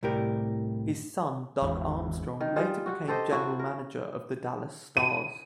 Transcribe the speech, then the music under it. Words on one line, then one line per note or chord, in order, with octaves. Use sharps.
His son, Doug Armstrong, later became General Manager of the Dallas Stars.
C2 A2 G4 A#4
G#1 E2
D#3
G3 F4 G#4
F#4 F#5
G4 A4 C5 D#5
E4 F#4
A#4
D#7